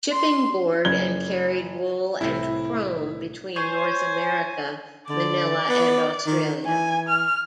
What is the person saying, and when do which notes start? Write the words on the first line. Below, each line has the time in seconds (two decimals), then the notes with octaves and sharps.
Shipping Board and carried wool and chrome between North America, Manila and Australia.
0.12 C6
0.85 F#1 G#6 G7
2.21 C2 A2 C3 E4
3.56 C5 C#5 G#5
5.09 D3 D5
5.69 B3
6.26 D#3
6.66 E3 G#5
7.08 F6